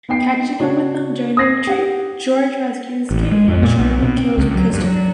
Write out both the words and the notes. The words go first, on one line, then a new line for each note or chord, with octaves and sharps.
Catching up with them during the retreat, Jorge rescues Kate and Sharpe kills Christopher.
B3 D#4 G5 C7
C#3 D4 F#4 C#5
D#6 G#6 A#6 C7
G4 F#5
A1
G#3
F2
A#2
B1
B2
C4
C#2
F#3
G2
F#3